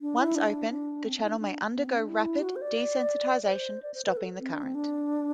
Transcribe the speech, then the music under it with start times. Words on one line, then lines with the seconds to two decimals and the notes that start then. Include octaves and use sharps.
Once open, the channel may undergo rapid desensitization, stopping the current.
0.01 D4
0.18 E4
0.36 D4
0.71 D4
1.06 C4
1.17 C4
1.24 E4
1.28 D4
1.39 D4
1.75 B3
1.86 C4
1.97 D4
2.09 E4
2.39 G4
2.44 F#4
2.56 C5
2.62 D5
3.43 D5
3.48 C5
3.82 D5
3.94 C5
4.05 B4
4.17 A4
4.40 C4
4.52 D4
4.63 C4
4.75 D4